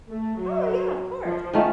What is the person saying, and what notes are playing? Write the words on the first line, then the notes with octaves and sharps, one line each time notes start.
Oh, yeah, of course.
A3
F#3
F3
D#3 A3 C#4 F4